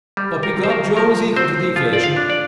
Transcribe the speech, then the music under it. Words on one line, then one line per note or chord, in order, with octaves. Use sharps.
But, begob, Joe was equal to the occasion.
G3
A#4
C3
C5
A#4
F3 A#4
C4 C5
F3 F4
D5
F5
D4
D5